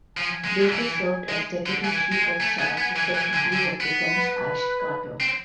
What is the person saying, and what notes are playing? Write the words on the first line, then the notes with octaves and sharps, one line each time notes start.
Baker served as deputy chief of staff to Secretary of Defense Ash Carter.
F3 G#5
G#3
E3
G#3
D3
E3 G#5
G#3
A3
B3
B3
E3
E3
D3
D3
B3
B4
C4